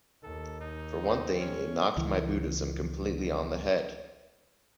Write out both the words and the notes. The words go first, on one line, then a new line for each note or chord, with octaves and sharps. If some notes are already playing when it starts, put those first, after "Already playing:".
For one thing, it knocked my Buddhism completely on the head.
D#2 A4
D#4
C4
C#4
C#2 E3